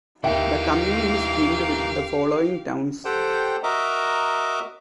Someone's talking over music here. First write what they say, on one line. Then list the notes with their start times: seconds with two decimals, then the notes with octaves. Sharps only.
The commune is twinned with the following towns.
0.24 D#2 E3 D#4 G4 E5 F5 G5
3.05 G4 A4 C5 F#5 G5
3.63 F#4 A#4 D#5 E5 A#5 D6